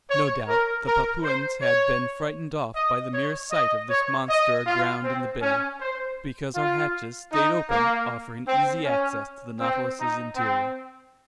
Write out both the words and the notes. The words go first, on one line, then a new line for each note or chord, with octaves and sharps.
No doubt the Papuans had been frightened off by the mere sight of this monster aground in the bay, because our hatches stayed open, offering easy access to the Nautilus's interior.
C#5
A#4
A#4
C5
C#5
D#5
C#5
D#5
C#5
D#5
F4
C4
C#4
C5
F4
D#4
A#3
C4
C#4
C4
D#4
C4